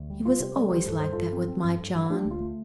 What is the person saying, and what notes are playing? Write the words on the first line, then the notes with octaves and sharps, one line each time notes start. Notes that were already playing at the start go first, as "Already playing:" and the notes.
It was always like that with my John.
Already playing: D2
G3
G3 F4
C3 G4 C5
G3 A4 D5
D2 G4 C5
G2 A4
G3 C5
G2 F4 A4
C4
C4
G2
G2
G2
A3 D4 G4
D2
F4
A3